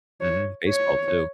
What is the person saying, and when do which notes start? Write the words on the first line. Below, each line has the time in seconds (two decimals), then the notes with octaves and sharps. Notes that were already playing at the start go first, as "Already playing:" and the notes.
Mhm, baseball too.
0.21 C#5
0.69 C#5